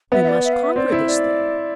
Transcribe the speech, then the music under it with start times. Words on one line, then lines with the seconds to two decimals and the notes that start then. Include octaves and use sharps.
We must conquer this thing.
0.12 B3 E5
0.24 E5
0.28 D5
0.45 E5
0.53 F5
0.63 E5
0.76 C4 D5
0.92 E4
1.07 D5